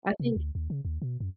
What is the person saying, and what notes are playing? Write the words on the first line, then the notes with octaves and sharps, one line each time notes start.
I think
C3
D2
D#2
C#3
D#2
B2
F#2